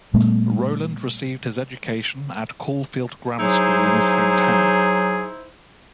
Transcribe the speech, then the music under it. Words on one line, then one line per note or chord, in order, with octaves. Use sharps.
Rowland received his education at Caulfield Grammar School in his hometown.
A#2 G3 A3 B3
F#3 D#4 E4 G#4 C5